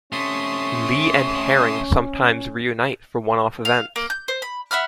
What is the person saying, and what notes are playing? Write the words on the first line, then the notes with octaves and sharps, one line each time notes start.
Lee and Herring sometimes reunite for one-off events.
C3 A3 C#4 C6 C#6 D#6
F5
A#3
G6
C5
B5
E5 F#5 B5 F6